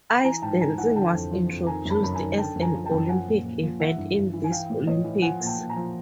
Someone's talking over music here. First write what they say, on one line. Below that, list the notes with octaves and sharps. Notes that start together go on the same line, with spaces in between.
Ice dancing was introduced as an Olympic event in these Olympics.
B5
E3 G#5 A#5
G#2 G5 A5
G#2 G#5 A#5
E3 F#5 G#5
D3 G5 A5
F2
F3
F2
D#3 G#5 A#5
F#2
A5 B5
F#2 B5
G#5 A#5
D#3
D3 G5 A5
F#2
G#5 A#5
F3
G5 A5
F#2
F3 F#5 G#5
A#2
A#2
F3
E3 E5 F#5
G2
G2
E3
G#5
E3 F5 G5
A2
A2 C#5 D#5
E3
F3 F#5 G#5
A#2
G5 A5
A#2
G#5 A#5
F3